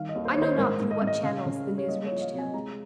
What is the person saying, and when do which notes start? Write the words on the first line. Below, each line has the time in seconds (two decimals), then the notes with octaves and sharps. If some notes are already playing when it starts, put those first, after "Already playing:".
I know not through what channels the news reached him.
Already playing: D#3 G3 F5
0.09 D#5
0.15 D#2
0.25 C5
0.34 D#3 C#5
0.42 C5
0.58 G#2 A#4
0.80 G#2
0.91 D#5
1.02 G#2
1.07 D#5
1.23 C#3 F5
1.46 C#3
1.67 G3
1.78 C#5
1.88 A#3 D#5
2.06 C#5
2.11 F3
2.17 D#5
2.21 F5
2.33 C3
2.38 G#5
2.54 G#3 A#5